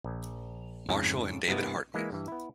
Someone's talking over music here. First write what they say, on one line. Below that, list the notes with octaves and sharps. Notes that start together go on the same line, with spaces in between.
Marshall and David Hartman.
A#1
F2 G#2 C#3
G2 C3 A#3 B3 E4 D#5
E3 G#3 A#3 E4
G2 E3
B3 E4